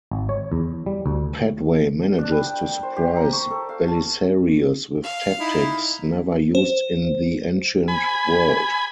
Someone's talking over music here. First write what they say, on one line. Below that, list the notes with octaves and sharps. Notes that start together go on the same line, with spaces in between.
Padway manages to surprise Belisarius with tactics never used in the ancient world.
G#1
C#5
E2
G3
D2
D4
G3
G5
G5
C5
G4
A#5
C#6
A4
F5
A5
F5
D#4 E4
C5
G#5 B5